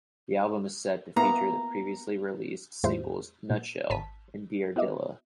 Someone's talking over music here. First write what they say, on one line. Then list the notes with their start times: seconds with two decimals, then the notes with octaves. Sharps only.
The album is set to feature the previously released singles "Nutshell" and "Dear Dilla".
1.16 A#3 B3 E4 A#5
2.84 E2 A2 G#3 E4 F4 C5
3.50 A#2
3.90 G#1 A5 B6 D#7
4.76 B3 E4 F#4 D#5 E5 D6